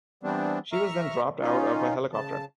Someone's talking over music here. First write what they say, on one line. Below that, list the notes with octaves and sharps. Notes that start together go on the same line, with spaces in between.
She was then dropped out of a helicopter.
E3 G3 B3 C4 D4
E5 A#5 C#6 F6
D#3 C#4 D#4 F4
C#3 A5